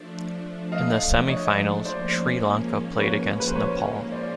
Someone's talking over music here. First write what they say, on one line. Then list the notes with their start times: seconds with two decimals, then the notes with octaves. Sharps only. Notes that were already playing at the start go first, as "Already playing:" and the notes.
In the semi-finals Sri Lanka played against Nepal.
Already playing: F3 A3 D4
0.72 D#5 F5
1.28 C#5 D#5
1.85 G#2 F3 A#3 C#4 C5 D5
2.98 B4 C#5
3.40 B4
3.47 C5
3.55 B4 C#5
4.12 C5 D5